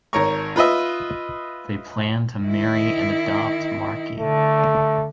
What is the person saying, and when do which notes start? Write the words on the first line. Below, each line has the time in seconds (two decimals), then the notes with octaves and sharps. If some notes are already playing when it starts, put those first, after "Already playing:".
They plan to marry and adopt Marky.
0.13 G#1 A#4 C#5 A#5 C#6
0.56 F4 B4 D#5 E5
2.42 D#3 E4
4.20 D3 A3